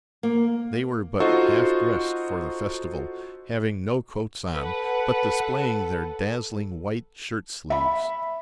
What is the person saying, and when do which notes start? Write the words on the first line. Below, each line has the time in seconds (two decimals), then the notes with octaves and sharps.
They were but half dressed for the festival, having no coats on, but displaying their dazzling white shirt-sleeves.
0.23 A#3
1.20 D#4 F4 F#4 A4 C5 D#5
4.55 A4 B4 F#5
7.70 E5 B5